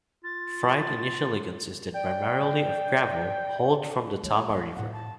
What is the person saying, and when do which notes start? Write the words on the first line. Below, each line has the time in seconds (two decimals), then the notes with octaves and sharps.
Freight initially consisted primarily of gravel hauled from the Tama River.
0.24 F4 A6
1.94 D5 G5
4.23 G#3 B3 C#5
4.49 D#4 F5
4.77 A2 F#5
4.93 A5